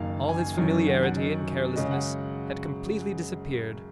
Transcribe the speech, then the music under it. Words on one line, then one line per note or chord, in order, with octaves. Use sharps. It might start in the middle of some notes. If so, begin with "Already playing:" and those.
All his familiarity and carelessness had completely disappeared.
Already playing: F#1 F#2 D#3 A#3 D#4 F5
G#5
F#2 D#3 F#3
F#5
F#5
D#5
F#2 C#3 G#3 D#5
F#5